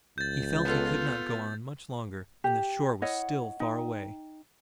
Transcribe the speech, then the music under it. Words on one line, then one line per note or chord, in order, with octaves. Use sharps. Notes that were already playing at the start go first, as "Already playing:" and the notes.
He felt he could not go on much longer, and the shore was still far away.
C#2 G6 A6
B3 F4 A4
G4
E4 C#5 D#5 F#5
D#4 G5